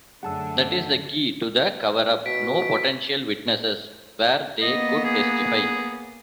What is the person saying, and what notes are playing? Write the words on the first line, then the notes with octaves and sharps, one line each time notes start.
That is the key to the cover-up: no potential witnesses where they could testify.
F#2 D3 A3 G#4 F#5 A5 E6
B2 B6 D7
A#3 B3 D#5
G#4